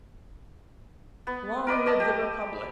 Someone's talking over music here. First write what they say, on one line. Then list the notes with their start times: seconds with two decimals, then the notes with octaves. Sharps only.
Long live the Republic!
1.27 B3
1.67 A#4 B4 D5 D#5
1.86 D5 D#5 A5
2.00 G4 D#5